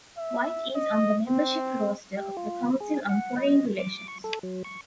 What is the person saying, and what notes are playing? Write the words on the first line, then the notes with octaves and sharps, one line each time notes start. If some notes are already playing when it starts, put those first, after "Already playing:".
White is on the membership roster of the Council on Foreign Relations.
E5
D#5
C4
G4
F4
G#4
F#5
D#5
D6
C#6
A4
F#3
C#6